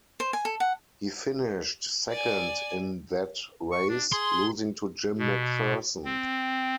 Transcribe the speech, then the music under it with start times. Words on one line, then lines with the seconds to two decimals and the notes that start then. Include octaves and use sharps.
He finished second in that race, losing to Jim McPherson.
0.20 C5
0.33 G#5
0.45 A4
0.60 F#5
2.09 D5 G#5
3.72 C#6
3.89 D4
4.12 G#4 C6
5.18 B2
6.05 C4